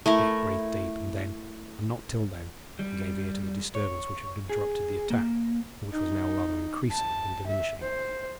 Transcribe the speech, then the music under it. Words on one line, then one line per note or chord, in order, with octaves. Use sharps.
Dick breathed deep, and then, and not till then, he gave ear to the disturbance which had interrupted the attack, and which was now rather increasing than diminishing.
A3 E4 A#4
G3
C#5
G#4
A#3
D#4
A5
E5
C5